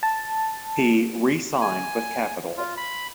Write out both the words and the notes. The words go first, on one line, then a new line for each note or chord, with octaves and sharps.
He re-signed with Capitol.
A5
G#5
F4
B5